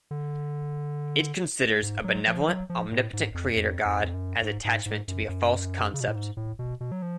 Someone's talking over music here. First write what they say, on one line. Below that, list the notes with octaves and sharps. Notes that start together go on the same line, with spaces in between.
It considers a benevolent, omnipotent creator god as attachment to be a false concept.
D3
G#2
F#3
F3
F#3
F3
A2
G#2
F2
F2
F2
F2
F#2
G#2
G#2
G#2
F#2
F#2
C#3
B2
A2
G#2
A2
B2
B2
F#3
F3